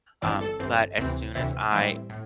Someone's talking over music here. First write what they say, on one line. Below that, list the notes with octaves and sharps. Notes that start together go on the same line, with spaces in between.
um, but as soon as I
G1 G2 E3 C4 D5
A4
G1 G2 E3 C4
D2 C3 E3 C4
D2 C3 E3 C4 E5
A2 E3 G3 C4 E5
A2